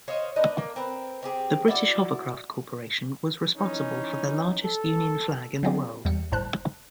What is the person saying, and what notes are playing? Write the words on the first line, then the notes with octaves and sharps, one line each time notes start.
The British Hovercraft Corporation was responsible for the largest Union Flag in the world.
C5 C#5 D#5 F5
B3 D4 D#4
A#3
C4 A#4 B4
C4 G4 G#4
E4 F#4 D5
E3 C#4 D#4
A4
F#3 B3 C4 G#4 D5
E2 G3 C#7
G1 A2 C5 A5 F#6